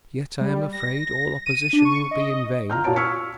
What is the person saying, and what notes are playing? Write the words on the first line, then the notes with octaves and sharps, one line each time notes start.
Yet I am afraid all opposition will be in vain.
G3
A#6
D#7
D4
C#6
D#5
F4 A#5 F6 G6
A#2 F#4 C#5 A5 D7
C#6 E6 F6 G#6 B6 C#7